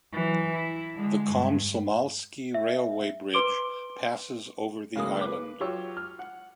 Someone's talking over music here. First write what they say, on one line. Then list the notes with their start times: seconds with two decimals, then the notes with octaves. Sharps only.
The Komsomolsky Railway Bridge passes over the island.
0.13 E3 F#3
0.52 E4
0.96 D3 G#3
1.29 G2
2.54 E5
3.33 B4 C6 D6 D7 G7
4.95 C#3 F#3 G#3 A#3 D#6
5.21 B4 D6
5.60 F#3 F4 G4 C#5 C#6 E6
5.97 F6
6.19 F#5